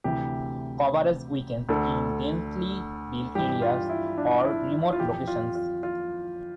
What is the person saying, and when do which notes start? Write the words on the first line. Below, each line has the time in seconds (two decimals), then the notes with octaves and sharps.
Coverage weakens in densely built areas or remote locations.
0.04 D2 C3 E3 G4
1.69 D2 D3 A4
3.35 G2 E3 G4
3.62 F4
3.89 E4
4.18 D4
4.45 E4
4.73 E4
4.93 F4
5.00 F2 E3 G4
5.28 F4
5.55 F4
5.83 F4